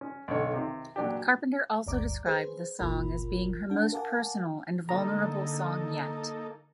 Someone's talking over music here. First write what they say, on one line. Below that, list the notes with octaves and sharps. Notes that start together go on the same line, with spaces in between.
Carpenter also described the song as being her most personal and vulnerable song yet.
C#4
B1 D3 C#5
C3 D#3
A#2 F#3 D4 G4
G#1 D2 G2 D5 A#5 D6
G#4 B4 C5
G1 C#2 A#2 F4 A#4 B5
D4 F#5 A5
A#4 F5 F#5 G#5 A5 D6
D3 A#3 D#4 A4 A#5